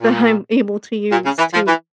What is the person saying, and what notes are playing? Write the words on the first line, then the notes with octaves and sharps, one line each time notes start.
that I'm able to use to
A#2
A#2
C#3
E3
F3
E3